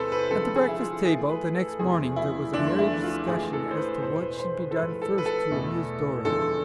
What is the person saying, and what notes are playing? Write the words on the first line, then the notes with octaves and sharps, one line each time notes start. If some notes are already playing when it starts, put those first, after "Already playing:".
At the breakfast-table the next morning there was a merry discussion as to what should be done first to amuse Dora.
Already playing: E2 C3 G#3 A4 B4 C5
B4
F2 D3 F3 G#3 A4
G#4
E4
F4
A2 E3 A3 G#4
B4
A4
E2 C3 F3 A3 G#4
E4
E2 D3 F3 A3 D4
E4
F4
A2 E3 G#3 G#4
A4
C5
B4
E2 B2 G#3 C5
B4
C5
B4
A4
A2 F3 G#3 B4
A4
B4
A4
E2 B2 A3
E2 D3 F3 G#3 A4